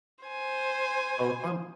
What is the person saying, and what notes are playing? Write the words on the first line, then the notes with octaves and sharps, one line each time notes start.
Oh, if I'm
C5 G#5